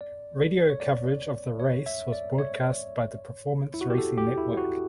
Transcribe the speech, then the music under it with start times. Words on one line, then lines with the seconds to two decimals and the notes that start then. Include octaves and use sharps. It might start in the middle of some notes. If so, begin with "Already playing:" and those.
Radio coverage of the race was broadcast by the Performance Racing Network.
0.01 D5
0.70 C#5
0.80 D5
1.60 C#5
1.86 E5
2.12 D5
2.38 C#5
3.74 E4
3.81 F#4
3.90 G4
3.98 A4
4.18 G4
4.38 E4
4.57 F#4